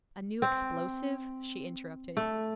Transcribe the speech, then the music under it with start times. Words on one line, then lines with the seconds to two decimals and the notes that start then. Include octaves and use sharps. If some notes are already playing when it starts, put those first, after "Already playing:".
'A new explosive?' she interrupted.
0.42 C4
2.17 A3